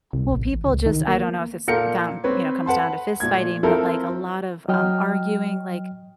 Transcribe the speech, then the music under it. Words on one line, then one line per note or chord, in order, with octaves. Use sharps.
Well, people just I don't know if it's down, you know, comes down to fist fighting, but, like, a lot of, um, arguing, like,
C2
A1
C#2
D#3
A#3
A#2 A4 A#4 F5 G6 C#7
C4 B4 C#5
B4 F#5 A5 C6
A#2 A3 G#6
F3 C4 E4 A4 A#4 C5
F#3 D#5 G5 F6